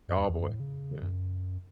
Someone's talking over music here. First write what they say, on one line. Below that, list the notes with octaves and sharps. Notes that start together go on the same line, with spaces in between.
Oh, boy. Yeah.
F#2
E2
E2
F#2
A2
C#3
F#2